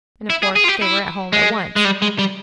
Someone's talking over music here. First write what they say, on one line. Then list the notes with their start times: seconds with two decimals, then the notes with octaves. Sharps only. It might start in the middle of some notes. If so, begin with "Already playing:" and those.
And, of course, they were at home at once.
0.30 E4
0.43 G#4
0.56 G#4
0.64 F4
0.69 G4
0.82 E4
1.33 G#3
1.76 G#3
1.85 G3
2.02 G#3
2.19 G3